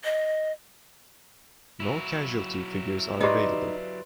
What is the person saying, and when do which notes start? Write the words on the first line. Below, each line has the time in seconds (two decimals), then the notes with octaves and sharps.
No casualty figures are available.
0.04 D#5
1.80 F#3 E4
3.21 D#4 G4 B4 D5 D#5 C6